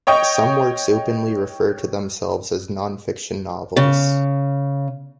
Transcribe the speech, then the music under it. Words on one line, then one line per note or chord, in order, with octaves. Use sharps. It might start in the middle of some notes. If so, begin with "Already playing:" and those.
Some works openly refer to themselves as 'nonfiction novels.
C#5 D#5 G5 C#6
C#3